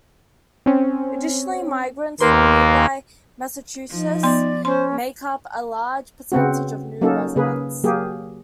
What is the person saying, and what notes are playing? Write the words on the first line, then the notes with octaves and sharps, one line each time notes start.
Additionally, migrants from nearby Massachusetts make up a large percentage of new residents.
C4 C#4
D#2 A#3 A#4 B4 C6
F3 D#4
B3 D5 C6
C#4 C5 C6
C#3 B3 C4 F#4
F#3 A#3 C#4 D#4 A4
C#3 A#3 G#4 B4
F#3 A#3 G4 G#4